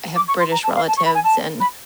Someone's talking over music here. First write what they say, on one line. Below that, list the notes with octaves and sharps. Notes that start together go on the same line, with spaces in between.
I have British relatives, and
D6
C#6
C6
A#5
A5
F5
A5
C#6
B5
G#5
A5
B5